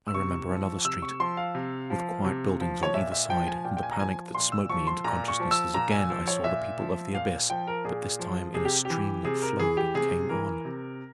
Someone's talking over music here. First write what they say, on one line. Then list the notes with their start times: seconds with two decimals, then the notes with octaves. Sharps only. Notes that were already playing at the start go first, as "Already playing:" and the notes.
I remember another street, with quiet buildings on either side, and the panic that smote me into consciousness as again I saw the people of the abyss, but this time in a stream that flowed and came on.
0.08 E6
0.14 C3 C#6
0.49 F3
0.84 C3 E6
1.02 C#6
1.20 F3 C6
1.37 F5
1.55 C3
1.90 F3
2.25 C3
2.60 F3
2.83 C#5
2.94 A#2 E5
3.12 E5
3.29 F3 G5
3.47 G#5
3.65 A#2 G5
3.77 G5
3.83 G#5
3.91 A#5
4.00 F3 G#5
4.35 A#2 C6
4.52 E6
4.70 F3 C#6
4.87 C6
5.04 A#2 A#5
5.28 C#6
5.40 F3
5.51 E6
5.74 A#2 A#5
5.92 G#5
6.10 F3
6.28 C#5
6.44 A#2 E5
6.80 F3
7.14 A#2 F5
7.50 F3 G5
7.67 A#4
7.85 A#2 G#4
8.19 F3
8.54 C3 G#4
8.65 G4
8.85 E3 G4
9.25 C3 G#4
9.42 A#4
9.59 E3 G#4
9.77 G4
9.94 C3 G#4
10.29 E3 A#4
10.65 C3